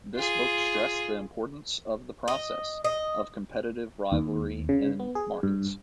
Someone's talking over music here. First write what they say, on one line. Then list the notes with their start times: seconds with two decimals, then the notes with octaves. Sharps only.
This book stressed the importance of the process of competitive rivalry in markets.
0.16 F4 G#4
2.28 D#5
2.84 D#5
4.12 D#2
4.69 C#3
5.00 B3
5.15 G#4
5.43 G2